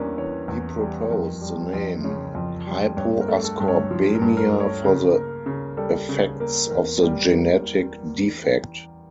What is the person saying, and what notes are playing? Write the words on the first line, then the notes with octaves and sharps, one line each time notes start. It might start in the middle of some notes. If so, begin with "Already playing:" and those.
He proposed the name hypoascorbemia for the effects of this genetic defect.
Already playing: E2 G3 A#3 C#4 D4
E3 C#5
E2
G3
F2 A#4
G3
F2
C#3 C#5
F2
G3
G2 C#5
A#4
A3
A4
G2
C#5
F3
A#4
G2
A#4
A3
C#5
C#3 A#4
A#3
C#3
G3 A4
C#3
A#3
E2 A#4
G3
A#3